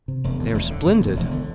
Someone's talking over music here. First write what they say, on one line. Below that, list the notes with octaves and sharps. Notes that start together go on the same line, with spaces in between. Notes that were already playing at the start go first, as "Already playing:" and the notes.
They are splendid.
C3
E1
D2
E1
D3
E1
D2
E1
D3